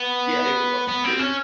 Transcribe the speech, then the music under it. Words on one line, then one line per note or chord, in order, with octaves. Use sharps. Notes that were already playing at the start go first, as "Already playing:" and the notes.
Yeah, it was li it
Already playing: B3
B3
C4
C#4